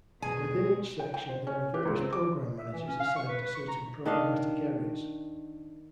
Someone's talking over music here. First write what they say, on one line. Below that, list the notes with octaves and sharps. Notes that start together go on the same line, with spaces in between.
Within each section, there are various program managers assigned to certain programmatic areas.
E1 B2 D#3 C4 G#4 G#5
G5
G5
C5
C#4
G4
C#2
C4
D6
E5
E3
C#4
F5
C#6
B4
B4
C#6
A#5
D#3 D4 D#5 F5